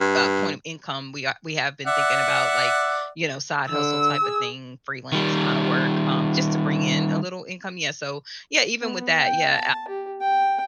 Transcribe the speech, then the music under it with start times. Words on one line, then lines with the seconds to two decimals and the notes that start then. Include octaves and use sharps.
uh, point of income, we are we have been thinking about, like, you know, side hustle type of thing, freelance kind of work, um, just to bring in a little income, yeah, so, yeah, even with that, yeah,
0.01 G2
1.87 D5 E5 F#5
3.69 D3 E6
4.22 G#4
5.12 D#3 G3
8.82 B3
9.18 G5
9.53 A5
9.88 G4
10.21 G5